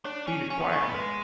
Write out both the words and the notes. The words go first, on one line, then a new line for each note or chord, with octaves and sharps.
"Beat it quietly."
D4 C#5
C#4 G#5
C#4 G#5
B3
A3 G#5
B3
G#3 B4